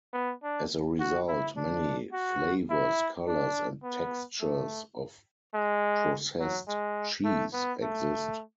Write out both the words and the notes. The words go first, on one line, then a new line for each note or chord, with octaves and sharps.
As a result, many flavors, colors, and textures of processed cheese exist.
B3
D4
F#4
E4
D4
F#4
E4
D4
B3
A3
G#3
F#3
G#3
A3
B3
A3